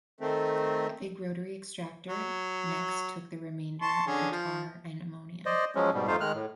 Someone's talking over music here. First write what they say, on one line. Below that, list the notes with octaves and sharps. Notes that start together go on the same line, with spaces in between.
A big rotary extractor next took the remainder of the tar and the ammonia.
D#3 A3 C4
F#3
A5 C6 C#6
D3 C#4 G#4
F3
C5 D5 D#5
F3 F#3 G#3 C#4
G#2 B2 G3
F2 A3 D#4 F4 C5 F5
D#3 G#3 F6 F#6
A2